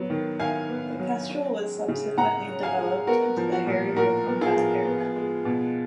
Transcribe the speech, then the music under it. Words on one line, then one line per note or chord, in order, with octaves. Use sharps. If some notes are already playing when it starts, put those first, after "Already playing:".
The Kestrel was subsequently developed into the Harrier combat aircraft.
Already playing: F#3 B3
D#3
D#3 F5 G#5
B3
F#3
C#4
G#3
C#3
C#3 F#5 A#5
C#4
F5 G#5
G#3
B3 F#4 A#4
F3
F#4
A#2
A#2 F#4 A#4
B3
F4 G#4
F3
B3
G#3
B2